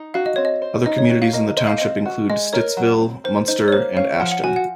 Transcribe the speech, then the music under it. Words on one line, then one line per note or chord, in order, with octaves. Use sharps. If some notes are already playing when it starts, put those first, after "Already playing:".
Other communities in the township include Stittsville, Munster, and Ashton.
Already playing: D#4
F#4 F5
D#5
C4 C#5
D#5
C5
D#4 D#5
C#5
F#4
F5
A#3 D#5
C5 D#5
F5
C4 D#5
F#4
G#3 D#5
A#4 C#5
F#3
C4
D#3 C5
D#4 C5
C#5
A#3 C5
C#4 F5
F3 F#5
F#5
F#4 G#5
F#5